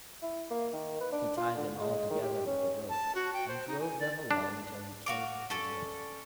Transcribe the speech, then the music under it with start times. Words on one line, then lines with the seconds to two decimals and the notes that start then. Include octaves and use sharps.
He tied them all together with a rope, and drove them along till he came to a mill.
0.22 E4
0.50 A#3
0.73 D#3
1.01 B4
1.12 D4
1.37 F4
1.57 D3
1.81 G#3
2.10 D#3
2.22 G4
2.46 C#4
2.89 A5
3.15 F#4
3.33 G5
3.48 C5
3.67 D#4
3.80 G#5
3.99 D5
4.31 D4
5.06 F#4 F5 D6
5.50 C#4 A4 D5